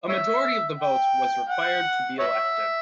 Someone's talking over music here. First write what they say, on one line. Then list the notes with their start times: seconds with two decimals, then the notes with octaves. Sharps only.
A majority of the votes was required to be elected.
0.09 C#5 E5
0.80 G5
1.49 F#5
2.19 C#5 E5